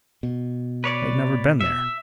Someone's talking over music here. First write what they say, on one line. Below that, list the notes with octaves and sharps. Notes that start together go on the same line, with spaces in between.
I had never been there.
B2
B4 C#5 D5
E5